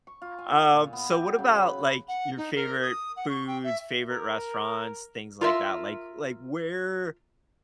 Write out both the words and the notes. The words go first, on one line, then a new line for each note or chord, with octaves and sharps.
um, so what about, like, your favorite foods, favorite restaurants, things like that, like like, where
C#6
F4
G#5
F4
A#2
B3
G4
F#3
C#3
B4
B5
F#5
D#4
A#4
D#6
F#5
C#6
G5
E5
A#4
F4 A#4 E5